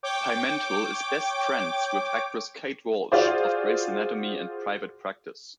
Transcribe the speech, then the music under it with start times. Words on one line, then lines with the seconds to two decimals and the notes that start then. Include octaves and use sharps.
Pimental is best friends with actress Kate Walsh of "Grey's Anatomy" and "Private Practice".
0.03 C#5 G5 D6
3.12 F4 F#4 G#4 C5 D5